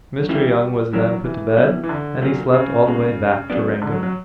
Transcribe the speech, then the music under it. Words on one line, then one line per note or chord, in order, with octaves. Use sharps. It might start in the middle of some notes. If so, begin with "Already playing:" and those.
Mr. Young was then put to bed, and he slept all the way back to Wrangell.
F#3
C#3 E3 G3 A#3 E4
F#2 E3 F#3 A#3 D4
E3
B2 G3 B3 E4
E3
D3
A#2 F#3 A#3
C#3
C#2 B2 A#3
C#2 C#3 F#3 B3 D4
D3
F#3
F#3